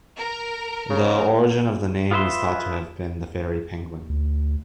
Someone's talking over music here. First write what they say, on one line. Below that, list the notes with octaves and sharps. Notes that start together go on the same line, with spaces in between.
The origin of the name is thought to have been the fairy penguin.
A#4
C#3 A#4
F4 G#4 B4 E5 C6
D2